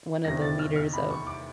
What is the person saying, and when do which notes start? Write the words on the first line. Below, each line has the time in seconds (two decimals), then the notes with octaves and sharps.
one of the leaders of
0.25 E2 C3 D#3 G3 A#6
0.42 A6
0.59 F6
0.76 F6
0.93 B5
1.11 C#6
1.27 D6